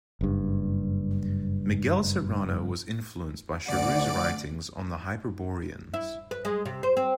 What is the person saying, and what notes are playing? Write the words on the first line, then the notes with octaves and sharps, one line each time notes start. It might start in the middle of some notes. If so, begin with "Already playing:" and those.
Miguel Serrano was influenced by Charroux's writings on the Hyperboreans.
F#1 G2
D2 D5 F#5 D7
E4
B4
G#3
C3
C5
C4